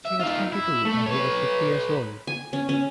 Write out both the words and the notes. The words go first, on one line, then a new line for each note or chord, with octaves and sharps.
She was twenty-two and he was fifty years old.
E5
D#4 F4
E4
A3
B4 C#5
G#5
C#4
C#4